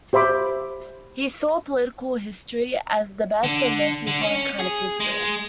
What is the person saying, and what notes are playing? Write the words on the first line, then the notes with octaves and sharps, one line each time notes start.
He saw political history as the best and most important kind of history.
G4 C5 E5 B5 D6
D3
D3
C#4
G#4
G#3